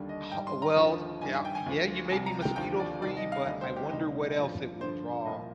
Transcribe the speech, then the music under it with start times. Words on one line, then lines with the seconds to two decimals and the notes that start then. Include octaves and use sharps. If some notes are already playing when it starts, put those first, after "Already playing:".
Ho oh, well, d yeah yeah, you may be mosquito free, but I wonder what else it will draw
Already playing: D#2 D3 G3
0.09 D#5
0.32 G#2 G3 G5
0.47 C6
0.62 A#5
0.76 D#2 D3 F3
1.21 G2 D#3 G3 G#5
1.34 G#5
1.45 G5
1.55 G#5
1.66 D2 D3 F3
2.11 C2 C3 G3 G#5
2.26 A#5
2.42 G5
2.56 D#2 D3 F3 G5
2.80 D5
3.01 C2 C3 D#3 G3 D5
3.17 D#5
3.32 F5
3.46 D2 D3 G3 D#5
3.61 C5
3.76 G4
3.91 D2 C3 D#3 G3 D#4
4.37 G2 F3
4.81 G2 D3 F3 C5
5.25 C2 A#2 F3 D#5